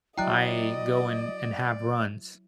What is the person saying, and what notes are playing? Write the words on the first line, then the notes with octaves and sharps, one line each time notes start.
I go and and have runs,
F#3 E4 D5 D#5 G5 A#5 F#6